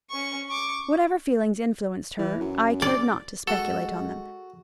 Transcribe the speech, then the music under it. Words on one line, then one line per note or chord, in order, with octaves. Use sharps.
Whatever feelings influenced her, I cared not to speculate on them.
C#4 C#6
C#6 D6
E3
F#2
D5
G#3 F#4 A4